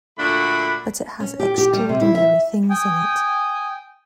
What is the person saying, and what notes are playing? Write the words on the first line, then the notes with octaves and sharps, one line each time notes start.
But it has extraordinary things in it.
A#2 D3 A3 D4 F#4 B5
C#4
G4
G4
G3
C3
E4
E5
G5 G#5 D#6